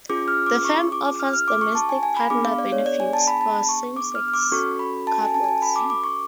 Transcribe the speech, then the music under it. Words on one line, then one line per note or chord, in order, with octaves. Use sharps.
The firm offers domestic partner benefits for same-sex couples.
C#4 F4 G#4 D6
F6
D6
C#6
D6
F6
F6
D6
C#6
A5
G#5
G#5
B5
B3 D4 G#4 D6
F5
D5
C#5
D5
G#5
A5
B5
A5
C#6
D6
F6
F6
D6
C#4 F#4 A4 C#6
B5
A5
G#5
A5
G#5
A5
B5
D6
D6
C#6